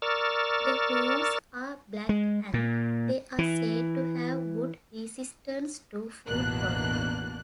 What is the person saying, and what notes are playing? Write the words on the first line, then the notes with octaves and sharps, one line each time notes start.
The hooves are black and they are said to have good resistance to footrot.
A#4 D5 C#6 E6 F6 A6
G#3
A#2
E3
A1 E2 B2 A#3 D4 F#6